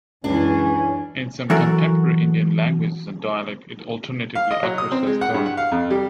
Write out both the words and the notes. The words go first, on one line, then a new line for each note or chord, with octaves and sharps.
In some contemporary Indian languages and dialects it alternatively occurs as "dharm".
C#2 F#2 E3 C#4 D4
E3 F#3 F#4 A4 A#4
F5
D#5
F#3
D#6
C4
G#3
F#5
G2
F#5
F5
F2
G3